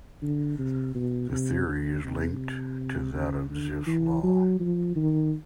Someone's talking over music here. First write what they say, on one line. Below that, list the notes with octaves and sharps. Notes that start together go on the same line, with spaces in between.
The theory is linked to that of Zipf's law.
D3
C3
B2
C3
D3
C3
C#3
D3
E3
F#3
F3
D#3